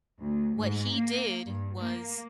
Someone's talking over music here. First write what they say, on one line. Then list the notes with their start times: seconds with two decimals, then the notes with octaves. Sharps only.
what he did was
0.20 D2
0.60 G#2
0.96 A#3
1.47 G2
1.82 A#3